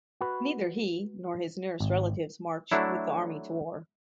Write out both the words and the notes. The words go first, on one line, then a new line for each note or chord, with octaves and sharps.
Neither he nor his nearest relatives march with the army to war.
F#4 B4
G#1
F#3 A3 D4 E4